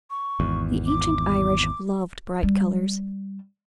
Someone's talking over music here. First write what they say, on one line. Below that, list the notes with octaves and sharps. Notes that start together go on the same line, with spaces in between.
The ancient Irish loved bright colours.
C#6
G#1 E2
D6
G3